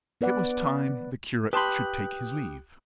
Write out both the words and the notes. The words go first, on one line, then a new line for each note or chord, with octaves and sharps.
It was time the curate should take his leave.
B3 B4 D5 F#5
G4 B4 A5 B5 C6 D#6 F#6 G6